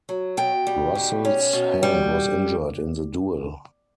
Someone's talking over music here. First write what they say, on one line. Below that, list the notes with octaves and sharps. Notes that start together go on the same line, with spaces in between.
Russell's hand was injured in the duel.
F#3
B2 G5
G3
B2
C#4
B2
G3